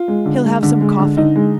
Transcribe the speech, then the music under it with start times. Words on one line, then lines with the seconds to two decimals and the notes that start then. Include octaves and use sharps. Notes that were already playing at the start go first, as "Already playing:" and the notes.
He'll have some coffee.
Already playing: F4
0.08 G#3
0.25 D3
0.43 G#3
0.63 D3
0.81 G#3
0.99 D3
1.17 D3 D#4
1.36 G#3